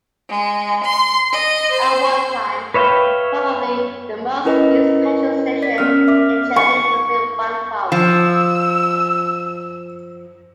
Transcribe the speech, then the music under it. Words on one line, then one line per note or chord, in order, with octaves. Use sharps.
At one time, probably the most used petrol station in Germany was in Wankum.
G#3
C6
D#5
C5
B4 C#5 E5 F5 G5
C#4 E4 A#4 B4 D#5
D5 B6
B3 C#4 A#4 D5 F6
E5 D6 F6 B6
C#6
F3 E6